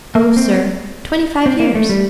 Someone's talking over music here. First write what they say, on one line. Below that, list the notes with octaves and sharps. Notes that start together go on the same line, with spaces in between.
"Oh, sir, twenty-five years."
A#3
C4
C4
A#3
A3
G3